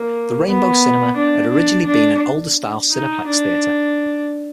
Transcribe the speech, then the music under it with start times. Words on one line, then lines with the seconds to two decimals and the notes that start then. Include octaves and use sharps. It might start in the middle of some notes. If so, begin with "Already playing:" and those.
The Rainbow Cinema had originally been an older style Cineplex theatre.
Already playing: A#3
0.47 B3
1.16 D4
1.51 D4
1.86 D4
2.92 D#4
3.27 D4